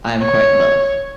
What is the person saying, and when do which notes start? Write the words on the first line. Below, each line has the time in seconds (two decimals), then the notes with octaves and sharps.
I am quite in love.
0.22 C#5